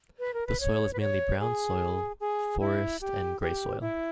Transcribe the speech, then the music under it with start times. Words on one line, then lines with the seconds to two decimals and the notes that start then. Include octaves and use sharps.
The soil is mainly brown soil forest and gray soil.
0.19 B4
0.34 A#4
0.47 B4
0.60 C#5
0.93 B4
1.00 C#5
1.40 G#4
2.20 G#4
2.60 E4
3.01 G4
3.41 G4
3.81 E4